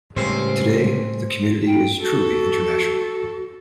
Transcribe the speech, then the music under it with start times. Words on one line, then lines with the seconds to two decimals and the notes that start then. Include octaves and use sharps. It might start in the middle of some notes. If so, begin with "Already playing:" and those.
Today the community is truly international.
0.16 C#2 A2 G3 C4 C#4 G4 C5
1.66 G5
2.02 F#4 A4